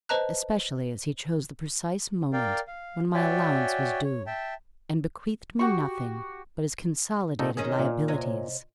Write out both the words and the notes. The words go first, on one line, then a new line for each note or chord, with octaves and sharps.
Especially as he chose the precise moment when my allowance was due, and bequeathed me nothing but his consolidated liabilities.
B4 C5 D#5 A5 A#5 F#6
A#4 D5 F5 G5
F5
F#4 C#5 D5 E5 G5 G#5
C#5
E5 G5 A5
F#4 G4 C#6
A#2 D#4 A4
D#3 C#4 D#4 G#4
A#2
C3 C#5 D#5